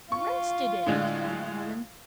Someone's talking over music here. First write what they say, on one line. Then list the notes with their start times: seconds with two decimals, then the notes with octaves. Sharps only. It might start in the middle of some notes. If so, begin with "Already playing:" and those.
'Roasted it!' explained the woman.
0.12 F4 C#6
0.86 A2 D3 G#3